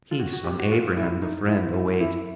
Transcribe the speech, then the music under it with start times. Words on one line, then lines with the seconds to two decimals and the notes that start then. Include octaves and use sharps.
Peace on Abraham the Friend await!
0.11 F4
0.20 F#4
0.33 F#4
0.44 G4
0.60 F#4
0.71 F4
0.97 E4
1.22 D#4
1.48 E4
1.74 E4
2.01 E4